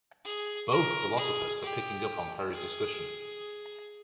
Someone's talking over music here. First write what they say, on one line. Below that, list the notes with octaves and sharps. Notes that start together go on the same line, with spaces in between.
Both philosophers are picking up on Perry's discussion.
G#4
A#4
G#4
G4
G#4